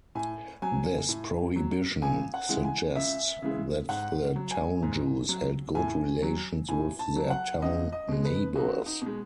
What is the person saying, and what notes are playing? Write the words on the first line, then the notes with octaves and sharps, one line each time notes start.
This prohibition suggests that the town Jews held good relations with their town neighbours.
A2 G#5
F#3 G#5
A2
F#3
C#2 G#5
F#5
C#3 E3 G#3
G#5
C#2 E5
C#3 E3 G#3
G#2 F#5
F#3
G#5
G#2
F#3
A2 G#5
F#3
A2 G#5
A5
F#3
F#5
C#2 D#5
D#5
B2 G#3
B4
C#2 F#4
D#4
B2 G#3